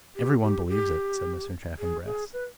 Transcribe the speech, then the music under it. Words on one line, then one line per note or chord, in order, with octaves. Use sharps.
"Every one believes it," said Mr. Chaffanbrass.
G4
G4
G4
G#4
G#4
B4